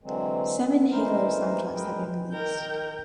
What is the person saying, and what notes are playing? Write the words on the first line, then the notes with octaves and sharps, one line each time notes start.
Seven "Halo" soundtracks have been released.
D3 E3 F#3 G#3 C4
E3 G#3 D#4 E4 A#4 C5
D2 G#3 G#4 A#4 B4 G5
D#3 A#4 G5